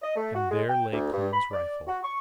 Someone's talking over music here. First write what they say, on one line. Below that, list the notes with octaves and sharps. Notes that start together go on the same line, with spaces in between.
And there lay Kloon's rifle.
D#5
A3
F#4
G#3
G5
D2
G2
B5
D5
F#4
C#6